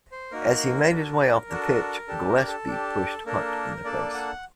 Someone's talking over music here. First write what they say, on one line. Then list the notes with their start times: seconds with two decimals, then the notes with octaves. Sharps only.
As he made his way off the pitch, Gillespie pushed Hunt in the face.
0.12 C5
0.31 A#3 D#4 F#4 A#4
0.90 D4 F#4 A4 A#4
1.50 D4 F#4 A4
2.08 D4 G4 A4
2.28 A#4
2.47 A4
2.67 D4 G4
3.26 A#3 D4 A4 A#4
3.84 A#3 D4 A4 D5
4.14 F#5